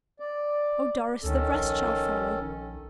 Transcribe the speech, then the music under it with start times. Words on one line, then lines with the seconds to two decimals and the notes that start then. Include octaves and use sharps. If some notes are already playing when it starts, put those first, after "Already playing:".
Oh, Doris, the rest shall follow.
0.20 D5
1.23 D2 D#3 C#4 A4
1.51 A#1